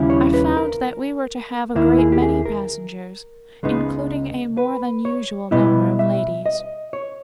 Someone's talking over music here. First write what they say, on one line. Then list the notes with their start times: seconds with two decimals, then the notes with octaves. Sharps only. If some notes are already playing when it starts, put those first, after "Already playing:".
I found that we were to have a great many passengers, including a more than usual number of ladies.
Already playing: D#2 C#3 G3 C#4 E4
0.10 C#5
0.34 B4
0.57 A#4
1.75 D#2 D#3 A#3 E4
1.99 G#4
2.12 G4
2.22 G#4
2.46 A#4
3.63 C#2 C#3 G#3 B3 D#4
4.57 B4
5.05 C#5
5.51 B2 G3 B3 E4 D#5
5.99 E5
6.46 D#5
6.93 C#5